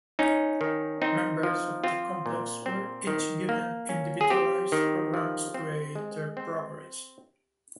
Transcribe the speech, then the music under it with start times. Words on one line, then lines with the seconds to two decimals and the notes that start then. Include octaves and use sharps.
Members of the complex were each given individualized programs to aid their progress.
0.19 C#4 D#4
0.61 D#3
1.02 C4 D#4
1.43 F3
1.84 C4 F4
2.26 A#2
2.66 C4
3.07 D#3
3.49 A#3
3.89 C#4
4.21 G#4
4.30 C4 G4
4.72 D#3
5.14 F3
5.54 C4
5.95 G#3
6.37 C4